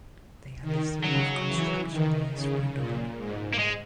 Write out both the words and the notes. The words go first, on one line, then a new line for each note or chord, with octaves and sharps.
They are listed with construction years where known.
D#3
C#3 F#3
E3
D#3
C#3
A#2
G#2
A#3
G#3